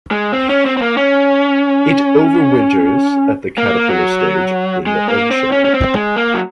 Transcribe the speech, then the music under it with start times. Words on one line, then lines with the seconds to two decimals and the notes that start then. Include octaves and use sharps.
It overwinters at the caterpillar stage in the egg shell.
0.11 G#3
0.32 C4
0.49 C#4
0.66 C4
0.77 C4
0.82 A#3
0.97 C#4
3.58 A#3
3.89 F#3
4.86 G#3
5.08 A#3
5.31 C4
5.52 C#4
5.64 C#4
5.74 C4
5.95 G#3
6.16 A#3
6.34 F#3